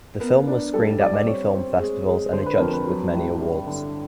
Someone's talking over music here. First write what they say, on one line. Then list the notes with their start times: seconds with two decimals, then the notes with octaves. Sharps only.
The film was screened at many film festivals and adjudged with many awards.
0.20 B3 A#4
0.47 D4
0.74 G3 A4
1.00 G3 D5
1.13 D5
1.26 C4 C#5
1.54 C4
1.80 G#3
2.07 G#3
2.33 D3 C5
2.46 B4
2.59 F2 A#4
2.73 B4
2.87 F#3
3.13 A2
3.40 G2
3.67 D3